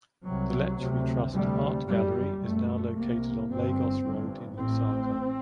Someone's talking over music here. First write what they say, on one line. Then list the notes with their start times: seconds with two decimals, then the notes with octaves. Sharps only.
The Lechwe Trust Art Gallery is now located on Lagos Road in Lusaka.
0.24 C2 C3 F#3
0.79 D2 C3
1.33 D2 C3 G3
1.87 G1 F#2 G3
2.41 F#1 F#2 A3
2.96 C2 C3 A#3
3.49 G1 G2 C4
4.04 G1 G2
4.58 A1 A2 C4